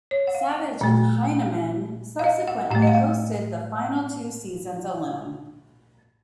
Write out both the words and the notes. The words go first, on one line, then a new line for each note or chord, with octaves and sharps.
Savage and Hyneman subsequently hosted the final two seasons alone.
C#5
F#5
F5
A#2 A3
F5
D#5
F#5
A2 A3 F#5
D#5
F5